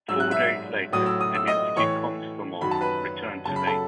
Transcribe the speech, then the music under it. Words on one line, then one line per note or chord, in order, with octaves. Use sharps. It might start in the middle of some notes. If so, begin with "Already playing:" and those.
Four days later, "Leninsky Komsomol" returned to base.
G#2 F#3 E6
F#6
E5 E6
A2 F#3 D#6
E6
D#6
E6
D#5 D#6
A2 E3 C#5 C#6
F#2 D#3 F#3 B5
A5
B4 B5
F#2 C#3 F#3 A5
B5
A4 A5